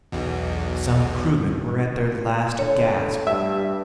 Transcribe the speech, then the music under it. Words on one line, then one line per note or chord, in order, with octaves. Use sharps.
Some crewmen were at their last gasp.
B1 E2 B2
D3 C#5
G2 E5